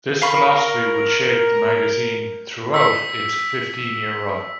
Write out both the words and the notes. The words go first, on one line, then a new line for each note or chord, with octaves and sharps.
This philosophy would shape the magazine throughout its fifteen-year run.
A#4 F5 B5 C#6
E6 B6